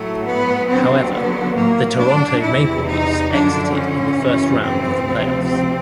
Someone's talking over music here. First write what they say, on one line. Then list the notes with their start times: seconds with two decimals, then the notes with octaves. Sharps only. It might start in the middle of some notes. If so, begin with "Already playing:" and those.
However, the Toronto Maple Leafs exited in the first round of the playoffs.
Already playing: A2 F#3 A3
0.25 B3
0.69 D#2 D3 F#3 C4
1.12 B3
1.55 A2 F#3 A#3
1.99 D4
2.42 E2 C3 E3 E4
2.86 D#4
3.29 F#2 D3 F3 D4
3.73 C#4
4.16 F#2 C#3 E3
4.60 C4
5.03 D2 C3 F3
5.47 C4